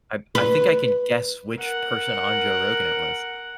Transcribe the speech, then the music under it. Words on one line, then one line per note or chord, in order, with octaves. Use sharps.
I I think I can guess which person on Joe Rogan it was.
B4
A#4 F#5